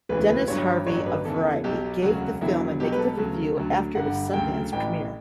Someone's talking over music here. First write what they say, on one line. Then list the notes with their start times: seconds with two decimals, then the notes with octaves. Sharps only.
Dennis Harvey of "Variety" gave the film a negative review after its Sundance premiere.
0.09 E1 D2 C#3 E3 B4
0.29 B4
0.48 G1 G2 F#3 C#5
0.87 A1 G2 F#3 C#5
1.06 B4
1.25 E2 C#3 E3 A4
1.64 B1 B2 F#3 G4
2.02 E1 D2 C#3 F#3 F#4
2.41 E1 E2 D3 F#3 E4
2.80 B1 B2 F#3 G4
2.92 B4
2.99 A4
3.18 D2 C#3 F#3
3.57 D2 D3 F#3
3.95 G1 G2 D3 F#5
4.34 D2 C#3 F#3 G5
4.72 A1 A2 E3 G5